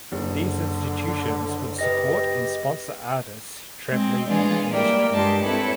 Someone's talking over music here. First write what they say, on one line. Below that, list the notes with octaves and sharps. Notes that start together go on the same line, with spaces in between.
These institutions would support and sponsor artists travelling in Asia.
F#1 D3
G4 B4 D#5 A#6
G#3 C4
E3 G#3 D4 F4 G#4
G3 A#3 E4 A#4 D5 G5
G2 G#3 G4 D#5 A5 C6
C4 E4 A4 B4 C#5